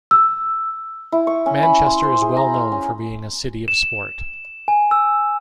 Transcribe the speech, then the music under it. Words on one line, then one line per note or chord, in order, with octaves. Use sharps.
Manchester is well known for being a city of sport.
E6
E4
C#6
C#4
B5
C6
C5
G#4
A#5
F5
C#4
E7
G#5
E6